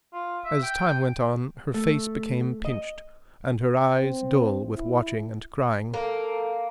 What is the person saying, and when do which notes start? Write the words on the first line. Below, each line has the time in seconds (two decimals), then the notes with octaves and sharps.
As time went on, her face became pinched, and her eyes dull with watching and crying.
0.13 F4
0.45 E5
0.63 G5
1.74 A3
2.65 D#5
3.94 C4
4.76 E4
5.94 A#3 A4